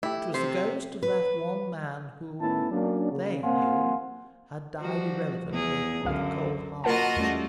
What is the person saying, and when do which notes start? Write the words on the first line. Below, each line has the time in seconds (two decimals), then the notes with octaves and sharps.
It was the ghost of that one man who--THEY knew--had died irrelevantly, with a cold heart.
0.03 A3 E4 G4
0.34 C3 C5
1.03 B4
2.40 A2 B3 C#4 E4 A5
2.70 F#3 A#3 C#4 D4
3.11 C#3
3.42 A#3 C4 F5 F#5 G#5 C6
4.80 F3 G3 F#4
5.50 E2 G#4
6.05 C#2 F#2 D3 F5
6.84 A#3 F4 F#4 A#4 D#5 F#5 A5
7.16 E2 G3 A3 C#4